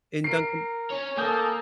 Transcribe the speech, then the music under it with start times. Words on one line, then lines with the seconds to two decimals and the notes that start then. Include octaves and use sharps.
in Dunkin'?
0.24 A#4 C7 D7
0.90 C#4 C#5
1.18 A#3 A4 G#5 D#6 G6